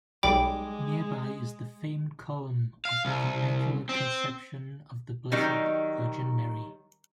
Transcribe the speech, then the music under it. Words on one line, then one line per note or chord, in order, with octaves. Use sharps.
Nearby is the famed Column of the Immaculate Conception of the Blessed Virgin Mary.
B1 G3 G#3 G5 B5 D6
F5
C2
C4
D#3 F#3 G3 D#4